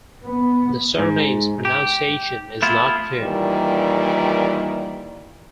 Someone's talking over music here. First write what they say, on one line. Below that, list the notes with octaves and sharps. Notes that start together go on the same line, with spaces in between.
The surname's pronunciation is not clear.
B3
G#2
G4
A3 B3 E4 F4
A#2 D#3 E3 G3